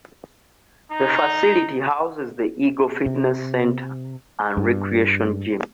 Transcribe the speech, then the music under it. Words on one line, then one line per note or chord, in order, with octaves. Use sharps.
The facility houses the Eagle Fitness Center and Recreation Gym.
D#4
C3
G2